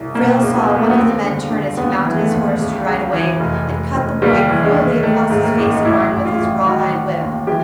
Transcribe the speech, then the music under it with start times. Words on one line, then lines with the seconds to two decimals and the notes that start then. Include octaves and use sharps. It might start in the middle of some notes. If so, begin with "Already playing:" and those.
Frale saw one of the men turn as he mounted his horse to ride away, and cut the boy cruelly across his face and arm with his rawhide whip.
Already playing: C2
0.15 B2 A#3
0.42 C#2
0.55 B3
0.69 C#2
0.75 A3
0.82 A#3
0.90 B3
0.96 D#2 C4
1.24 D3
1.50 D3
1.77 D#2 B3
2.05 E3
2.19 A3
2.32 D#2
2.59 C#2
2.86 C#2
3.13 E3
3.40 F1
3.68 F1
3.95 F1
4.22 D#2 G3
4.49 E3
4.63 G#3
4.76 D#2
5.03 D#3 A3
5.30 G#2
5.44 A#3
5.58 A1
5.73 D#4
5.85 A1 E4
6.12 A1
6.25 F4
6.39 A1
6.66 D#3 F#4
6.93 D#3
7.21 D#2
7.47 E3 G4